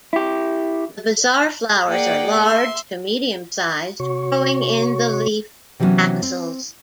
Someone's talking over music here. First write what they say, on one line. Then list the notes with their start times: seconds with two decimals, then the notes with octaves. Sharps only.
The bizarre flowers are large to medium-sized, growing in the leaf axils.
0.13 E4 G4
1.87 A#3 G#4 D5 F#5 G5
2.41 E5 C6
4.00 C3 F#4 C#5 C#6
5.80 C3 E3 F#3 G3 B3 C#4
6.22 C4